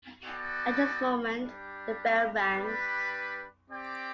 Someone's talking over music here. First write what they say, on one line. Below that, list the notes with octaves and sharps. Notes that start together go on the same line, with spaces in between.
At this moment, the bell rang.
B3 F#4 A4 D5 G5
G3 D4 G4
G3 D4 G4 B4 D5
C4 G4 D5 G5